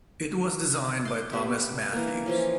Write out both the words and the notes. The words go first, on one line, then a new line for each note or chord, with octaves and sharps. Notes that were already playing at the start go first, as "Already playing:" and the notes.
It was designed by Thomas Matthews.
C6 D6
B3 G4 E5
E3 A#3
E3 F3 C#4